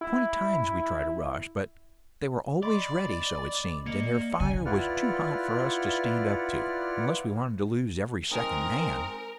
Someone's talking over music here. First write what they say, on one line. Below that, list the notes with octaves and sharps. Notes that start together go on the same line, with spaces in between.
Twenty times we tried a rush, but they were always ready--so it seemed--and their fire was too hot for us to stand up to, unless we wanted to lose every second man.
E4
D5 D#5 B5 C6 D6
A#3 D5 D#5 C#7
D3 G#5
E4 F4 B4 D5 F#5 F6
G#3 C4 D#4 A#4